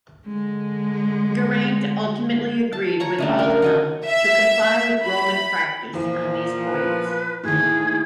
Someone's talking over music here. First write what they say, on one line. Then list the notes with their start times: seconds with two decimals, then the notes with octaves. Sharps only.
Geraint ultimately agreed with Aldhelm to comply with Roman practice on these points.
0.26 D3 G#3
2.73 A5
3.00 C#5 A#5 C#6
3.18 C#3 A3 D4
3.39 A#4
3.62 F#4 D#5 F#5
4.07 E5
5.06 B5
5.94 E2 A#2 F3
6.64 B4
7.44 D#2 A2 G#4